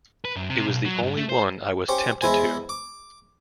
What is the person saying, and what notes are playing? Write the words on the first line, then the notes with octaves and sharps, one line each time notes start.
It was the only one I was tempted to ...
B4
F#2
C3
B1
F#3
G2
A3
C5
C#4 G4 C5 D6
E2 G#3 E4 C5 G#5
D6